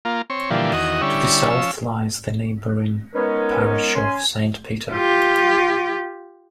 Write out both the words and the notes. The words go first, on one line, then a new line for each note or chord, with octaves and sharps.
To the south lies the neighbouring Parish of Saint Peter.
A#3 F4
C4 C#5
A#2 D3 E3 F3 G3
E2 D#3 F#4 D#5
D3 G3 C#4 E4
F3 C#4 E6
G#3 B3 C#4 D#4 A#4 B4
C#4 G#5 C6
F4 G4